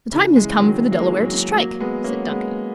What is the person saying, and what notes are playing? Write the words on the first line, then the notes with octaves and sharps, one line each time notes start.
"The time has come for the Delaware to strike!" said Duncan.
C#3 E3
E3 G#3
D#3 F#3
G#3
A#3
E3 G#3
F#3 A#3
F#3 A#3
G#3 B3
A#3 C#4
G#3 B3